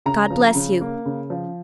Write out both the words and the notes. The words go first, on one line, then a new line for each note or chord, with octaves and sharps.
God bless you.
C#3 A#5
F3
C#3
A#3
C#3
F3